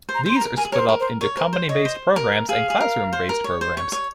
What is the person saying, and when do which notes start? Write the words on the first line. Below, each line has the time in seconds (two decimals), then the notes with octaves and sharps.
These are split up into company-based programmes and classroom-based programmes.
0.09 C5
0.14 A#5
0.26 C5 C6
0.36 A#5
0.41 A#4
0.57 A#4 G#5
0.65 G#4
0.72 A#4 C#5
0.79 C5
0.88 A#4
1.00 C5
1.21 A#4 C#5
1.37 A#4 C5
1.53 C5 C#5
1.69 C#5 D#5
1.85 C5
2.16 A#4
2.49 G#4 F5
2.70 G#4
2.81 A#4
3.13 C5
3.29 A#4
3.44 C#5
3.61 C5
3.77 C#5
3.92 C#5